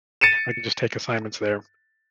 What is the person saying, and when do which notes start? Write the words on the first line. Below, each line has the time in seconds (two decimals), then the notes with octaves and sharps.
I can just take assignments there,
0.21 A6 C#7 D#7 E7